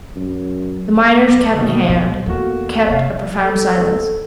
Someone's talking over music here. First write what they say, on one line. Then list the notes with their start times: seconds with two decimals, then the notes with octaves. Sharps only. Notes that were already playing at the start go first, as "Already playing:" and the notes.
The miners, cap in hand, kept a profound silence.
0.16 F#2
1.27 B1 F#2 D6 A#6
1.55 B2 D#3
1.89 A#2
2.26 E2 A3 A#3 F#4
2.87 F#1 C3 C#5 E5 F5
3.42 A4